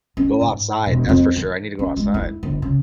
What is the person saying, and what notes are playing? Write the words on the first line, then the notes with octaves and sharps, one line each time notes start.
Go outside, that's for sure, I need to go outside.
C#4
G#2
E1
F2
E3
C#4
G#3
E4
G1
C#3